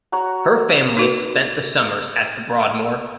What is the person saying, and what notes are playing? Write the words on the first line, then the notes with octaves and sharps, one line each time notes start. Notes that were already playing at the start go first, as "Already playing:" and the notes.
Her family spent the summers at The Broadmoor.
F#4 C#5 F#5 A#5
D#4 F#4 B4